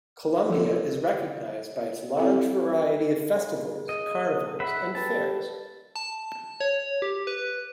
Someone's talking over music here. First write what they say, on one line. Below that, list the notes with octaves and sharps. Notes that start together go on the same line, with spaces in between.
Colombia is recognized by its large variety of festivals, carnivals and fairs.
F3 A4
C4 E4 A4
C#3
D#5
E5 F#5 B5
G4 A4 B4 A5
A5
C#5
G4
B4